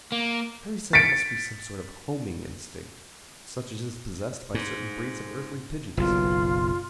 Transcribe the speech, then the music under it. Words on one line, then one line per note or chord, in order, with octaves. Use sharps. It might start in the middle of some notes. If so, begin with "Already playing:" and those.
Perry said it must be some sort of homing instinct such as is possessed by certain breeds of earthly pigeons.
A#3
A6 B6 C#7 D7
G#2
F#1 B1 F4